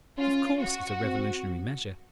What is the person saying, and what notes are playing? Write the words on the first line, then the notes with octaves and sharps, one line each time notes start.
Of course, it is a revolutionary measure.
C#4 F4
F#4
C4